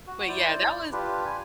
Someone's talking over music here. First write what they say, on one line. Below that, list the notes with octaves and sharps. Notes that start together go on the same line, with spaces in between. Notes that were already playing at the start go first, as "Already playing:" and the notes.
but, yeah, that was
F#4
E4 C5 D5
D4 F4 G4 B4
G#5